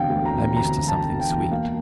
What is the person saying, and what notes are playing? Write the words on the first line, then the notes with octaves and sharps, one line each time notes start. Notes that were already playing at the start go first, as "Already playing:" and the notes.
I am used to something sweet.
Already playing: E1 D3 F5 G5
D2
A#5
E1
D3 A#5
E1
A5
E1
G5
E1
A#3 F5